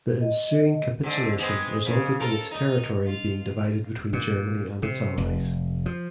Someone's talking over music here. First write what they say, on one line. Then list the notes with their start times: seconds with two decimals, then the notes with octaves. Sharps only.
The ensuing capitulation resulted in its territory being divided between Germany and its allies.
0.21 D#5
1.03 G#2 D3
1.39 G#3 B3 C4
1.85 F2 C#3
2.20 F4 A4 A#4
2.51 D#4
3.07 F4
4.13 A#2
4.83 C3
5.18 F1
5.86 F3